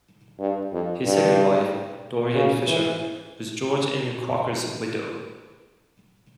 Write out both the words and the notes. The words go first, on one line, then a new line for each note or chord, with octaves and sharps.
His second wife, Dorian Fisher, was George N. Crocker's widow.
G2
F2
G2
C#3
E3